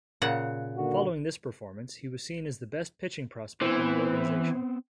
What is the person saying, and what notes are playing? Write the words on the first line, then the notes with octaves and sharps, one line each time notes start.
Following this performance, he was seen as the best pitching prospect in the organization.
A#2 C#3 F#5
D3 A#3 F#4
E3 B3 C4 C5